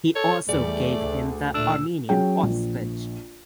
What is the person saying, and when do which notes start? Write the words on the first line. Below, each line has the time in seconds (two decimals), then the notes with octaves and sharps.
He also gave him the Armenian hostage.
0.15 A4 C#5
0.49 E2 G3 A3 G#4 D5
0.98 D2 D3
1.54 A#2 A3 D4 E6
2.09 F#3 C#4 G#4 G5
2.43 A#1